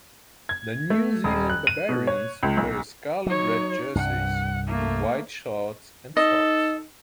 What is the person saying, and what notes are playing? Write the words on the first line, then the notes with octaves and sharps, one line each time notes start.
The New Zealand Barbarians wear scarlet red jerseys with white shorts and socks.
G#6
A3
D#1
F#6
D#7
B2
C#5
C#2
B1
F#3 D#4 C#5
C2 G2 F#5
A3 A#3
D#4 A4 D#5